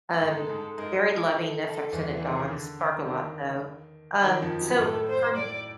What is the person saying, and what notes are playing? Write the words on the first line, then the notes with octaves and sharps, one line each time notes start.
Um, very loving, affectionate dogs, bark a lot, though. Um, so, from
G#2 G#3 A4
G#2 G#3
G#2 G#3 A#4
A#4
A4
A4
E2 E3 G#4
E3
D#3 G#4
D3
D#3
D#3
D#3
F2 F3
F#2 F#3
G#3
A2 A3 A4
C5
D5